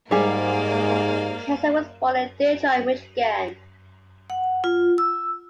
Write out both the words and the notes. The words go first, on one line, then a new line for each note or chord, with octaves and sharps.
Kienzle was born in Detroit Michigan.
G#2 G3 A#3 G#4 D5 F5
F#5
F4
E6